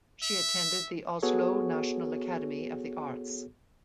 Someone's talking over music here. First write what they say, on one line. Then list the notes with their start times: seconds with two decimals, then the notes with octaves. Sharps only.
She attended the Oslo National Academy of the Arts.
0.23 E5
1.23 B3 F#4 G#4 A4 C#5